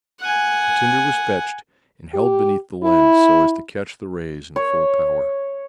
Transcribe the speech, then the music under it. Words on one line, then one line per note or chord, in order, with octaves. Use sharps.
The tinder was fetched, and held beneath the lens so as to catch the rays in full power.
F#5 G#5
G4
E4
C#5